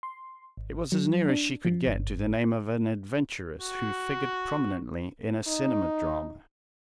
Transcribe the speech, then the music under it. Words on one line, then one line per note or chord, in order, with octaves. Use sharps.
It was as near as she could get to the name of an adventuress who figured prominently in a cinema drama.
C6
G#1
F#3
D4
F3
G1
F#4
D#4